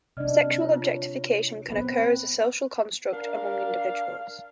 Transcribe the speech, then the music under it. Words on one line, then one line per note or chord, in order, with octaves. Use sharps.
Sexual objectification can occur as a social construct among individuals.
C3 D4 D5 D#5 F6
F4 C#5
B3 C4 B4
D4 A#4 F5